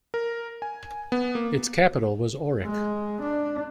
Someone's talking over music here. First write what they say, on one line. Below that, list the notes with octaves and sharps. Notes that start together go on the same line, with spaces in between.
Its capital was Aurich.
A#4
G#5
B3
A#3
G#3
D4